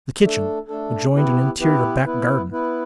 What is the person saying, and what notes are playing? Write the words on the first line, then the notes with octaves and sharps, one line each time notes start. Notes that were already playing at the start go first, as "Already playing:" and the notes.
The kitchen adjoined an interior back-garden.
A3 D4 A4
A3 D4 A4
B3 E4 G4 B4
B3 E4 G4 B4
B3 E4 B4
B3 E4 B4